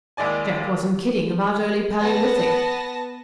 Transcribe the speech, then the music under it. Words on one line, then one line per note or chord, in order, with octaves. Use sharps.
Jack wasn't kidding about early Paleolithic.
D#2 G#3 E4 D5 G#5
B3 B4 A5 A#6